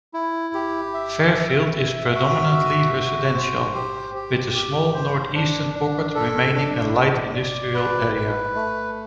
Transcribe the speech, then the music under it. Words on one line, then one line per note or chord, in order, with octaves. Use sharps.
Fairfield is predominantly residential, with a small north-eastern pocket remaining a light industrial area.
E4
G4
E5
E5
E5
F#4
E5
F#4
C5
G4
G4
G4
C5
D4
D4
A4
D4
D5
D5
B4
B4
A3